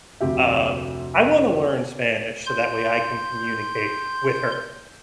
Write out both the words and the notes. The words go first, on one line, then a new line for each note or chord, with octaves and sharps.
um, I wanna learn Spanish so that way I can communicate with her.
F1 D2 C3 G4 E5
C6 G6